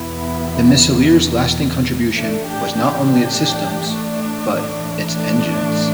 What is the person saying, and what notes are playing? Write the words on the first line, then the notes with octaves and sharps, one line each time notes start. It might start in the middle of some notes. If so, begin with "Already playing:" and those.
The Missileer's lasting contribution was not only its systems, but its engines.
Already playing: E2 B2 B3 E4
A2 E3 A3 D4
D4 G4
D4 G4
D4 G4
A3 D4
A2 E3
A3 D4